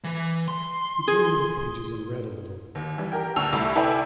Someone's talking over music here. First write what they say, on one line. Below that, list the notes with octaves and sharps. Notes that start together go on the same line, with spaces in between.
He turned the pages and read a little.
E3
C6
G#4
D#2
E3 G3
G4 A#4 G5
D2 A5 C#6 E6 F7
C2 A3 E5 B5
E4 A4 B4 D5 G5 G#5